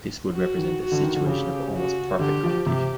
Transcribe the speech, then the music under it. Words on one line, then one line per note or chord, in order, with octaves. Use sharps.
This would represent a situation of almost perfect competition.
F#4
D#3
F#4
D3
D#3
D3
C#3 G4
F#4
D3 G4
F3
C3 G4